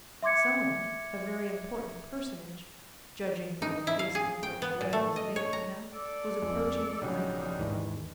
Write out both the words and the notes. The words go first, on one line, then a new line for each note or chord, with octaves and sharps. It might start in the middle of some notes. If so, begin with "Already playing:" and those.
Someone, a very important personage judging by the haste with which way was made for him, was approaching the icon.
E5 C6 D6 G#6 C#7
D#4
E4
F5
G#4
G5
B3
A#2
A3
D#5
C#5
A#5
A4 D5
F2 G#3
A#1 C#3 F#3 G3 D4 D#4
D#2 G#2 E3